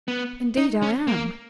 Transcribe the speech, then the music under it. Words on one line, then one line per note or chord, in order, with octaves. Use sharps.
"Indeed I am."
B3
D#4
C#4
A#3